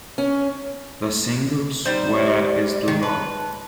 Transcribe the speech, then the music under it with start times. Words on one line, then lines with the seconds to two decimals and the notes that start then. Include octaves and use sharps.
The singles Where Is The Love?
0.18 C#4
1.85 G3 D#4 C5
2.23 D5
2.88 D#3
3.03 B4 A5